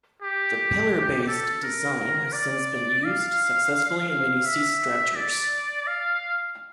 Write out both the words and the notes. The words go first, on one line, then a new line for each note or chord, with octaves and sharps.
The pillar-based design has since been used successfully in many sea structures.
G4
A4
A#4
D5
F5
F5
E5
D5
F5